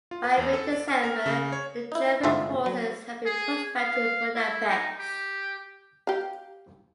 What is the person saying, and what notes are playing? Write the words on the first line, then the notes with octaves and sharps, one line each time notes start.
By mid-December, the German forces had been pushed back to Budapest.
F4
B4
E2
A4
D5
F6
A#4
C#3
C#5
D#4 E4
G1 C2 G#2 A3 F4 E5
F#3
G#4
F5
E4
D#4
G4
G4 F5